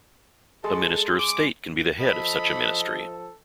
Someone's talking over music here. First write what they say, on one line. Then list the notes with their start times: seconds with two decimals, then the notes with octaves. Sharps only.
A minister of state can be the head of such a ministry.
0.64 G#3 A4
1.19 D6
2.00 F3 A4 D#5 B5